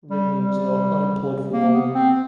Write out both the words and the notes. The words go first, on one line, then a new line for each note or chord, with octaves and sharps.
Rigney was not unemployed for long.
G3
G3
A#3
B3
C4